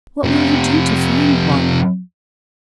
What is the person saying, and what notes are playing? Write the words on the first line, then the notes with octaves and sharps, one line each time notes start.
What will you do to find one?'
F2 C3